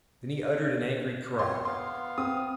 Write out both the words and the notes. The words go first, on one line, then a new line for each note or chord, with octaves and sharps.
Then he uttered an angry cry.
C4 F4 C#5 C6
B3 F5 C6
C4 D#6